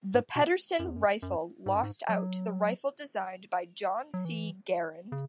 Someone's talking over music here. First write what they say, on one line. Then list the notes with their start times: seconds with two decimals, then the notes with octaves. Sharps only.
The Pedersen rifle lost out to the rifle designed by John C. Garand.
0.14 G#2
0.36 B2
0.79 F#2
0.88 E2
0.96 F#2
1.22 F#2
1.66 G#2
1.75 F#2
1.83 G#2
2.09 F#3
4.14 F#3
4.25 E3
5.12 C#3